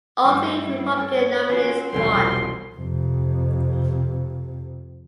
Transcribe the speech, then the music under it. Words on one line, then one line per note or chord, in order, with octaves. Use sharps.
All three Republican nominees won.
G2 G3 A3 C4 E4
A4 C#5
C4 C#4 F4 F#4
E1 C2 B2 G3 C4 C6
F2 C3